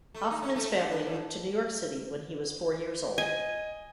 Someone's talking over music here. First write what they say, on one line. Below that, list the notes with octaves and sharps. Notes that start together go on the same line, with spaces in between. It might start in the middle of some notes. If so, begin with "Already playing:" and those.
Hoffmann's family moved to New York City when he was four years old.
A3
D#4
C#4
A3
D3
D4
D#2
D#5 G#5